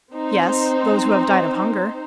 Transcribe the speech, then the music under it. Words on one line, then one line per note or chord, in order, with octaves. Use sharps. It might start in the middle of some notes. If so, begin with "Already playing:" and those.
"Yes; those who have died of hunger."
C4 D#4 C5